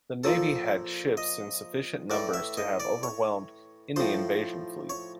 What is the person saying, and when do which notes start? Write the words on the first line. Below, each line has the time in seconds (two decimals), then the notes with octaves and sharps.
The navy had ships in sufficient numbers to have overwhelmed any invasion fleet.
0.24 A#2 F3 A4
1.17 D#5
2.10 A2 E3 D5
2.34 E5
2.57 D#5
2.80 D5
3.03 C#5
3.96 A2 F3 C5
4.90 C#5